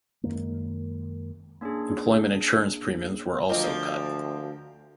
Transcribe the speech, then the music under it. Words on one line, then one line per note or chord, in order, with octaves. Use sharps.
Employment Insurance premiums were also cut.
F#2 D#3 G#3 A#3
A#3 C#4 D4 E4 G#4
D2 F3 A#3 C4 F4 D#5